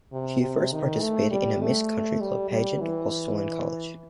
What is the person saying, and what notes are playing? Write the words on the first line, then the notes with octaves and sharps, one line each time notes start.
She first participated in a Miss Country Club pageant while still in college.
C3
C3
D#3
A3
G3
A3
G3
G3
E3